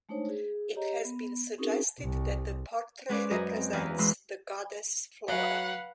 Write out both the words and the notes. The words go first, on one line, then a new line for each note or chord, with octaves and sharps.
It has been suggested that the portrait represents the goddess Flora.
G#3 A3 D4 D#4 C5 C#5
G#4
G4 C#5 D#5 A#5
B3
C4 C#4 D#4 F#4 G#4 A#4
C2
G#3 C#4 B4 C5 D5
F#2 F#4 A#4 D#5 B5
C4
E2 E4 B4 F5 A#5
E3 G#3 B5 C6 E6
F#3 B4 F5 F#5